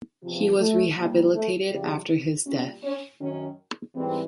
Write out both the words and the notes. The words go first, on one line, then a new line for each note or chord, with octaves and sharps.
He was rehabilitated after his death.
E2 C3 F3
A3
A#2 G3
A3
F#2 C#3 F3 G3
A#2 G3 C#4
C#4
F#2 D#3 F#3 C#4
G#2 E3 G3 C4